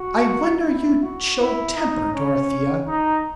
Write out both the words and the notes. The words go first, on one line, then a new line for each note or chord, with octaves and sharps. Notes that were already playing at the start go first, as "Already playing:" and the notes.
"I wonder you show temper, Dorothea."
Already playing: F#4
E4
F#4
E4
D#4
C#4
D#4